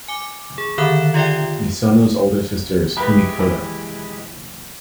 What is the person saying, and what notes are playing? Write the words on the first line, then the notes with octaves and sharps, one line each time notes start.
Misono's older sister is Kumi Koda.
G#5 D6
G#4
D3 D#3 A4 E5 F#6 E7
F4 G4 D5 E5 G5
G#3 E4 G4 B4 B5
E3